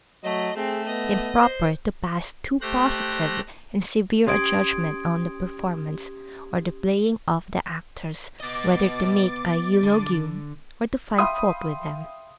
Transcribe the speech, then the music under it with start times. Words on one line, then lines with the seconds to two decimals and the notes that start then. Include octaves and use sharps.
It is improper to pass too positive and severe a judgment on the performance, or the playing of the actors, whether to make a eulogium, or to find fault with them.
0.24 F#3 A3 D#5
0.56 A3 C4 G#4
0.87 B3 D#5
1.42 C5
2.61 A3 G4 C5 F#6 A#6
4.26 C#4 G4 C6 D#6 G#6 D7
8.40 B3 D#5 D6 A6
9.83 D3
11.18 E5 F5 G5 B5 C6 D#6